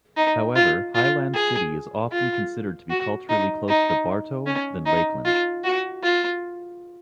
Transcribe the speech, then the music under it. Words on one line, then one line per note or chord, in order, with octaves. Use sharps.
However, Highland City is often considered to be culturally closer to Bartow than Lakeland.
D#4
F4
F4
G#4
F4
F#4
D#4
D#4
C#4
D#4
F4
F#4
F4